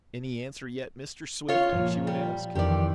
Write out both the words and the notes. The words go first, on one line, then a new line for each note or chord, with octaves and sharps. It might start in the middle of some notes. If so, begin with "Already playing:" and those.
"Any answer yet, Mr. Swift?" she would ask.
F4 C#5
A#2 F3
G3
F2 D#3 E3 G4 D5